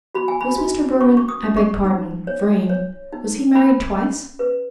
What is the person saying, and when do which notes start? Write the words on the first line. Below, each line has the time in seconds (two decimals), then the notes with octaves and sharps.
"Was Mr. Berwin--I beg pardon, Vrain--was he married twice?"
0.14 F#4 B5
0.28 G#5
0.41 B5
0.57 F#4
1.00 C#4 C#6
1.17 C#6
1.28 D#6
1.43 C#4
1.57 C#6
1.85 D#4
2.27 C#5
2.69 C#5
3.13 D#4
3.55 C#4 B5
3.98 C#4
4.39 B4